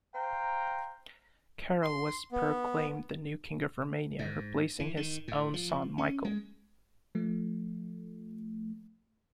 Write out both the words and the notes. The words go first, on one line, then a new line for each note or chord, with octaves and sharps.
Carol was proclaimed the new King of Romania, replacing his own son Michael.
C5 F5 G5 A#5
C6
B3
G#2
E3
D#3
A2
F3
C#4
G#3
F3 A3